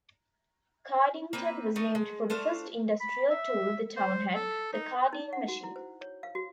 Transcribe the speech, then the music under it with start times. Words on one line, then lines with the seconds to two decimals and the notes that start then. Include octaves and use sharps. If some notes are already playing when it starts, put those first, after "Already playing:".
Cardington was named for the first industrial tool the town had, the carding machine.
1.33 A#3 C4 B4
1.76 A3 D#4 A#4
1.95 G#3
2.30 A3 D4 C5 F5
3.00 B5
3.31 E5
3.97 C5
4.35 A4
4.73 D#4
5.13 D#4
5.33 F#5
5.48 F#4
5.63 E4
5.76 C5
6.01 C#5
6.23 F5
6.35 F#4